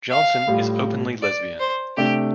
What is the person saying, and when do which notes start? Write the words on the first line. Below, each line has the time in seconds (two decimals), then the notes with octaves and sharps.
Johnson is openly lesbian.
0.11 F5
0.47 A2 G3 F4
1.22 D5
1.60 C5
1.97 C3 A3 D4 G4